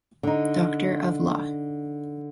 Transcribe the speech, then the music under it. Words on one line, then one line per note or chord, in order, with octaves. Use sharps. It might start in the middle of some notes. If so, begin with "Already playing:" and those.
Doctor of Law.
D3 D#4